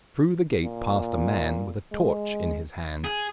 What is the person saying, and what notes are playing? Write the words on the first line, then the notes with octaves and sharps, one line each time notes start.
Through the gate passed a man with a torch in his hand.
A#2
G#3
G#4